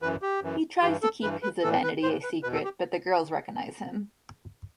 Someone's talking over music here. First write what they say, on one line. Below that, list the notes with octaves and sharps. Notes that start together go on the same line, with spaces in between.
He tries to keep his identity a secret but the girls recognize him.
F#2 E3 B4
G4
F#2 E3
G2 E3 G4
A4
G2 E3 B4
B4
A2 E3 A4
B4
A2 E3 C5
B4
E2 B2 B4
A4
G4